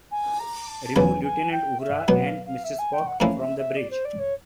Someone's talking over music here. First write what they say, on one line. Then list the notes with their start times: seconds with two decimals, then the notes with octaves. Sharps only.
Remove Lieutenant Uhura and Mr. Spock from the bridge.
0.11 G#5
0.39 A#5
0.68 A5
0.85 A5
0.95 E2 C#3 F#3 B3 G#5 A5
1.24 G#5
1.51 G5
1.80 E5
2.08 B2 F#3 B3 F#5
2.26 F5
2.46 F5
2.64 E5
2.78 G#5
2.93 G5
3.06 F#5
3.20 A2 F3 A#3 C#4 E4 F5
3.39 E5
3.58 E5
3.76 D5
3.90 C5
4.05 D5
4.19 C#5